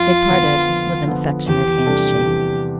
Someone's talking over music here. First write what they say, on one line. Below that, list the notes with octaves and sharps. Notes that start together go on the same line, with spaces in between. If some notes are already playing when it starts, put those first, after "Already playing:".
They parted with an affectionate handshake.
Already playing: F2 F4
D3 F3 B3
F2
D3 F3 B3
E2 G4
C3 G3 D4 A4
E2